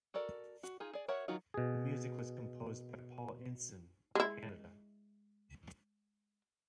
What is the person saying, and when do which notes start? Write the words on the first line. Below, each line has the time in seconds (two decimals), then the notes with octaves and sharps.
The music was composed by Paul Intson, of Canada.
0.14 F#4 A4 A#4 D5
0.63 F#4
0.80 D#4 F4 G#4
0.94 G#4 D5
1.08 F#4 A#4 C#5 E5 F#5
1.28 D#3 F#3 D#4 F4 F#4
1.54 B2 G#4
4.15 G#3 E4